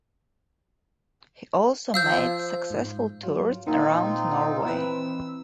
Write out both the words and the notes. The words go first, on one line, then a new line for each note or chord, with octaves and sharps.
He also made successful tours around Norway.
F3 F5 E6 G6
G#2
F#3 F4
A#2 D#3 C4 D#4 F4
E3 C4 B4 E6